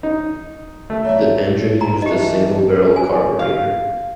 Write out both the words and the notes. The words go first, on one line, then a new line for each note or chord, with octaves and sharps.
The engine used a single-barrel carburettor.
D#4
A3
F#3 D5 E5
A#5
E3 G4 D#5 A5
B4
G#5
F5